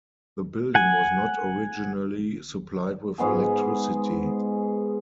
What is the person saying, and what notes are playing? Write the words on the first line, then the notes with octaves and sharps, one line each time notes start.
The building was not originally supplied with electricity.
F#5 G#5
G#2 G#3 B3 G#4